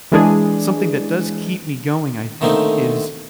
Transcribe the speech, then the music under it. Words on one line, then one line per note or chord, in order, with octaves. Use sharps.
but something that does keep me going, I think, is
E3 G#3 D4 G#4
D3 D#3 A3 A#3 C4 D#4